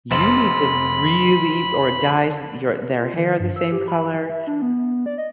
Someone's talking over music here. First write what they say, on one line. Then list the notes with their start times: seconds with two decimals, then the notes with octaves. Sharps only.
you need to really or dyes your their hair the same color.
0.11 F1 B5 C6 E7 F#7
3.01 F4
3.14 D#3
3.40 G2
3.56 E6
3.72 G4
3.88 B5
4.14 E3
4.29 E5
4.47 D4
4.62 B3
5.06 D5
5.18 D#5